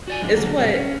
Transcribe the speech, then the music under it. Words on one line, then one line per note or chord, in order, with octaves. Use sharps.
it's what
F#4 D5 G#5
G#2 F3 G#3 D4
D3 F#3 A#3
A2 C3 F#3 G3
C#4